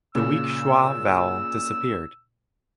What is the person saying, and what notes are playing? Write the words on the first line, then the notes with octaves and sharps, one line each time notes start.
The weak schwa vowel disappeared.
A#2 C#3 E6